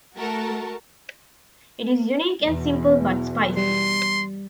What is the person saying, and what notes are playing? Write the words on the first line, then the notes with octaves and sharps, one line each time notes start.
It is unique and simple but spicy.
A3 F#4 A4 A#4 A5
E2 B2
G3 C6